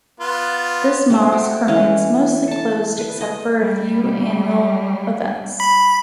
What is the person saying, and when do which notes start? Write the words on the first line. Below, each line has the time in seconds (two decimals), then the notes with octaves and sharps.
This mosque remains mostly closed except for a few annual events.
0.20 B3 F4
1.10 G3 A3 C5
1.32 F#4 G4
1.67 E3 C#4 F#4
2.48 A4 A5
2.98 B4
3.21 D#5
3.61 G3
5.60 B5